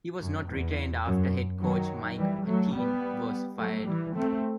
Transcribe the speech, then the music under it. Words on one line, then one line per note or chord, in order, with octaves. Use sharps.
He was not retained after Head Coach Mike Pettine was fired.
F#2
E2
F#2
D#3 F#3
E3 G3
F#3 A3
G3 B3
F#3 A3
E3 G3
A3 C4